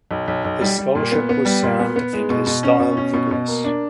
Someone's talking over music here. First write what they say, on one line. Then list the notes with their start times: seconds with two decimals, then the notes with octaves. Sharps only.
His scholarship was sound and his style vigorous.
0.11 B1
0.28 B1
0.45 B1
0.61 G3
0.78 G3
0.95 A#2
1.12 B3
1.29 B3
1.45 G3
1.63 A#2
1.79 B3
1.96 B3
2.13 G#3
2.30 B2
2.47 B2
2.63 C#4
2.80 B2
2.97 C#4
3.13 B2
3.31 B2
3.48 A#3
3.64 D4